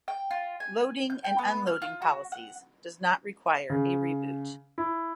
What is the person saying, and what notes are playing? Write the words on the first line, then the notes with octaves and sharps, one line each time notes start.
Loading and unloading policies does not require a reboot.
G5
F4
G#5
G6
G5
B3
F6
F4
F#4
F#5
C#3
E4